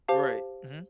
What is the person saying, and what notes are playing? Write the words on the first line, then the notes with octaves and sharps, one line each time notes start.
Right, mhm.
G4 C5 F5 A5